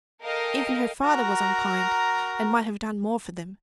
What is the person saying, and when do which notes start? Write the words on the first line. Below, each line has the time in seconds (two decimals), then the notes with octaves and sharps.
Even her father was unkind, and might have done more for them.
0.23 A4 A#4 D#5 F5 G5
1.04 F#4 A#4 A#5